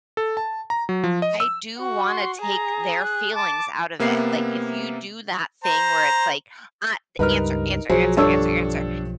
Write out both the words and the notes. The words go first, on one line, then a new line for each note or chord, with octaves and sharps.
I do wanna take their feelings out of it, like, if you do that thing where it's like, at "Answer, answer, answer, answer, answer."
A4
A5
A#5
F#3
F3
D#5
E6
F#4
C6
G#4 A#5
F#6
A5 D6
C3 A#3 B3 E5 C7
C5 A#5
C#2 G2 G3 D#4 A#4 B4 F6
B1 F3 F#3 G#4 C5
G2 D4 A4 C#5 E6